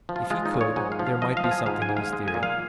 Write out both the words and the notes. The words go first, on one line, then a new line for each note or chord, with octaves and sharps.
If he could, there might be something in his theory.
F3
F4
G#3 F4
D#4
A#2
C#5
G#2 G#5
F5
F3
F5
F3 D#5
F5
F3
G#5
G#2 F5
G#5
G#2
F5
G#3
G#5
A#2
F5